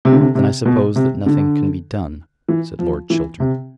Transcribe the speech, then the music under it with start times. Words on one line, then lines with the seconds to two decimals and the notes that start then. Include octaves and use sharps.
"Then I suppose that nothing can be done," said Lord Chiltern.
0.05 C3
0.12 D3
0.20 C3
0.35 C3
0.65 B2
0.96 C3
1.26 D3
2.48 E3
2.79 F3
3.10 E3
3.40 C3